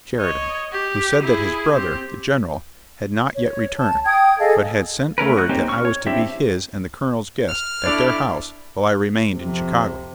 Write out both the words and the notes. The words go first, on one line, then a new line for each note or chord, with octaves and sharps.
Sheridan, who said that his brother, the General, had not yet returned, but had sent word that I was to be his and the Colonel's guest, at their house, while I remained in Chicago.
C#5 D#5
G4
E4 G#4
C4 G4
C#5
A5
G5 D#6 G#6
G#4 A4 D#5 F5
A3 C#4 A#4 B4
F#4 F#6
A#3 C4 C#4 D#4 G4
C#6 F6
C#5
C4 D4 E4 G4 E5
F6
B2 D4 E4 A4 D5
F2 C3